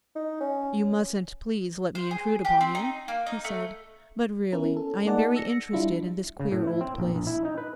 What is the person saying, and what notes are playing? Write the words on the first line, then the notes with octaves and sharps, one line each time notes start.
'You mustn't please let me intrude upon you,' he said, 'but really I am very interested in this queer old place.
D#4
C#4
C5
G#4
G4
C4
D#4
A#3
D#4
A3
B3 C#4 E4 A#4
A4
A#3 D#4 G#4 D5 F#5 A5
E6 A#6 C#7
G3 D4 E4 F4
C#3
A2
E4
C4
A#1
A#1
E4
D#4
B4